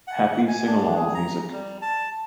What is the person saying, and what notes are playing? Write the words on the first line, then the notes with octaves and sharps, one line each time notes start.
Happy singalong music.
F#5
G#5
D4
G#4
A#5
G3
A5